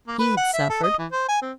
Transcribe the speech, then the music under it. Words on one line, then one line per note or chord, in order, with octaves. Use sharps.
He had suffered.
A#3
B4
F#5
E5
A4
D#5
E3
C5
G#5
C4